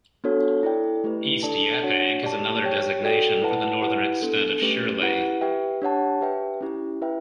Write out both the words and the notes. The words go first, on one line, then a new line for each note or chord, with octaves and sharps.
East Yaphank is another designation for the northern extent of Shirley.
B3 D4 F#4 A4 C#5
E4 A4 D5 G5
A3 E4 G4 B4
D4 A4 D5 A5
D4 F#4 C#5 F#5
G4 D5 A5
G4 C#5 G5
F#4 A4 D5 G5
E4 B4 F#5 A5
E4 G4 B4 F#5
B3 D4 A4
A3 C#4 G4 B4
E4 G4 B4 F#5
G4 B4 E5 G5
D4 G4 C#5 F#5 A5
G4 B4 E5 G5
C#4 E4 G4
E4 B4 E5 G5